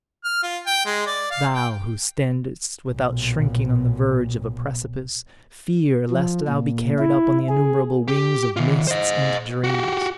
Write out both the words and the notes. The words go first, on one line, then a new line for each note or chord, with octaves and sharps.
Thou who standest without shrinking on the verge of a precipice, fear lest thou be carried up on the innumerable wings of mists and dreams.
F6
F4
G5
G#3
D5
F5
G5
B1 A#2
F3
A#2
E4
G#4
G4
D#3 F4
C5 D#5
F#4 G4